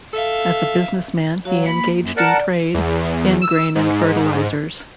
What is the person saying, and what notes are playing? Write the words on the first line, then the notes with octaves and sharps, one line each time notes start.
As a businessman, he engaged in trade in grain and fertilizers.
A4 E5 F5
F#3 F#4 F5
A#3 B5
F#2
A#4 D5 F#5 A5
E2
E6
G#2